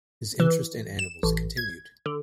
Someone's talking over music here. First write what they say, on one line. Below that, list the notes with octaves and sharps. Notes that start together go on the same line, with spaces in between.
His interest in animals continued.
E3
E7
A1
G#6
D3